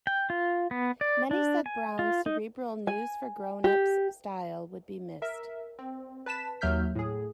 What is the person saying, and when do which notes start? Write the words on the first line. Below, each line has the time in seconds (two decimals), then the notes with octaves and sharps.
Many said Brown's cerebral "news for grown-ups" style would be missed.
0.07 G5
0.30 F4
0.71 B3
1.01 D5
1.31 D4
1.66 G#5
1.99 F4
2.26 D#4
2.87 G#5
3.64 G4
5.22 A#4 E5
5.79 C4
6.26 B4 A5 B6 E7
6.61 D#2 F#3 E5 F6 G6 B6
6.95 A2 G#4